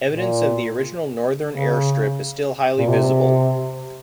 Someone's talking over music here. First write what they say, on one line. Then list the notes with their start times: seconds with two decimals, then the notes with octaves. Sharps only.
Evidence of the original northern airstrip is still highly visible.
0.10 A#2
1.50 C#3
2.78 A#2
2.89 C3